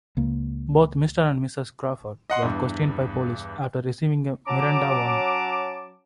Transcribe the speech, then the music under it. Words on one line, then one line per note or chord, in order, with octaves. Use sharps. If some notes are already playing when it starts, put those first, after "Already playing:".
Both Mr. and Mrs. Crawford were questioned by police after receiving a Miranda warning.
C#2 A#3
D#5 F#5 C6
E2 G2
F#3 C#4 A5 A#5 D6